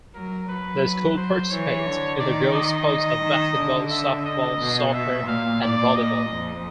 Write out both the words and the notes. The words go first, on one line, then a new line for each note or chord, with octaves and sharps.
The school participates in the girls sports of basketball, softball, soccer, and volleyball.
F#3 A#4
F#3 B4
C5
E3 C#5
D3
D#3 D5
D#5
D#5
D#3
D3
E5
D#5
B2
E5
A#2 F5
D5
D#5
F2